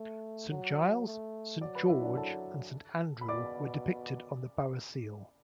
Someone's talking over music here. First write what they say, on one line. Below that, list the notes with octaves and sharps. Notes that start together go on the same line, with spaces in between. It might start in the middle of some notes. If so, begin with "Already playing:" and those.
Saint Giles, Saint George and Saint Andrew were depicted on the borough seal.
Already playing: A3
F#3
A3
F#3 D5 D6
B4 B5
E4 E5
D4 D5
A4 A5
B5
B2 D5 D6